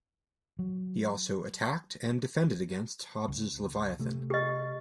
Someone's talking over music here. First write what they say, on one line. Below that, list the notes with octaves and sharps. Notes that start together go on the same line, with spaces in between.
He also attacked and defended against Hobbes's Leviathan.
F#3
C#2
C3 A3
G4 D#5